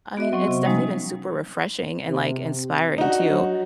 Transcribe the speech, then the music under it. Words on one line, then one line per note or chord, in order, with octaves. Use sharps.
I mean, it's definitely been super refreshing, and, like, inspiring too,
B3 F#4 D#5 E5
F#3 C4 C#6
C3
F3 G3 G#3 A#3 C#4 D#4
C3
D4 D#4 F#4
F#3